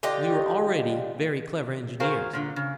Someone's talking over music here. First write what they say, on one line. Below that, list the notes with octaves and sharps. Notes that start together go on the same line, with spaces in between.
We were already very clever engineers.
D3 F4 G4 D#5
F#4 G#4 A#4 C5 F5
A#2 D3
C#3